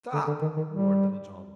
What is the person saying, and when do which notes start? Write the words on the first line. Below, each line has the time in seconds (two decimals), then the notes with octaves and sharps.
"Stop!" roared Little John.
0.13 D3
0.27 D3
0.42 D#3
0.57 D#3
0.71 G3